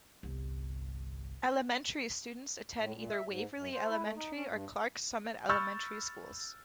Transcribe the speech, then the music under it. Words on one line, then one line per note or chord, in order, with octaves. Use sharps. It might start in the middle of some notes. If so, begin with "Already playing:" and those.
Elementary students attend either Waverly Elementary or Clarks Summit Elementary schools.
G1 C2
A2
A#2
E5
G#2
F#2
C5
E4
A3
D#4
C#4
G2
B5 C#6 E6 F6 G6 A6